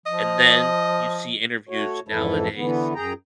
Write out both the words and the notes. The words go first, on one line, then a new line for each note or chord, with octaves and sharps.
and then you see interviews nowadays,
F3 D#5
A3 F#4 C#5
F2 G#2 E3 E4 A4
D3 E3 B3
F#2 G#4 G5 A#5